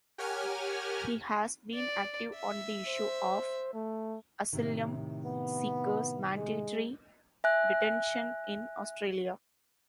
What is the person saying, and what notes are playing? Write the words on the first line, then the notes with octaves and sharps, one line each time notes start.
He has been active on the issue of asylum seekers' mandatory detention in Australia.
G4 A#4 C#5 F#5 G#5 F6
D5
E5
C5
A3
A2 C3 D#3
B3
G#3
E5 G#5 F#6